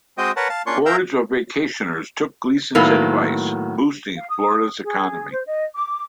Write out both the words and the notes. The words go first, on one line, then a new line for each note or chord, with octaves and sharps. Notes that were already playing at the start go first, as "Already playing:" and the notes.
Hordes of vacationers took Gleason's advice, boosting Florida's economy.
G#3 C4 F#4 D#5 G5 D#6
A#4 B4 C#5 F#5 A5
F5 A5
A#3 C#4 D4 F4 C6 C#6
A#4 E5 F5 G5 A#5 E6
A2 D#3 F#3 A#3 B3
F5
D#6
G#4
C5
D#5
D6